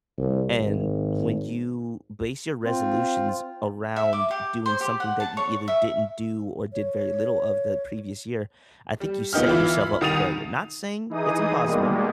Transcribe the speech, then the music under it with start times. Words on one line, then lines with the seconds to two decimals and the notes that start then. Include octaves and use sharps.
And when you base your resolutions around doing something that you either didn't do or did very little of the previous year, I think you set yourself up for failure. Not saying it's impossible
0.18 C2
0.55 G#1
2.64 C4 F4
3.96 E5
4.13 D6
4.31 G4
4.66 C5
4.81 G4
5.00 F#5
5.20 A5
5.37 C#5
5.68 E5
6.73 C#5
9.00 G3
9.33 C#2 B3 D#4 G4 F6
9.47 E3 E4 F4 B5
9.81 B5
10.01 C2 D#3 D#6 A6 D#7 F7
11.09 E3 D#4 G#4 D#6
11.64 B2 G3 G#3 A#3